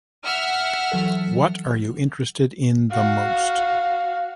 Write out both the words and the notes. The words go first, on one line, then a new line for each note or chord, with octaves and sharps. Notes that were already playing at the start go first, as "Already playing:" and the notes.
What are you interested in the most?
E5 F#5 F6
E3 F#3 A4
F#4 F5